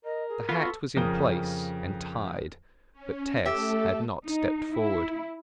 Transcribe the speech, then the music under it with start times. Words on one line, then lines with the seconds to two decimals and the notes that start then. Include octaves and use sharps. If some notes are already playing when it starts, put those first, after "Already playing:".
The hat was in place and tied, but Tess had not stepped forward.
0.04 A#4 D#5
0.29 G#4
0.49 B3 F4 F#4 A4
0.97 F2 C#3 A#4 D#6 G7
2.93 C#4
3.45 A3 G4 A4 E5
4.24 D#4
4.74 E4